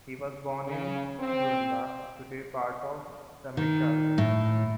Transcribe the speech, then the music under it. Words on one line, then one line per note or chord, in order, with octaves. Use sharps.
He was born in Grunbach, today a part of Remshalden.
C#3
C4
D#3
A2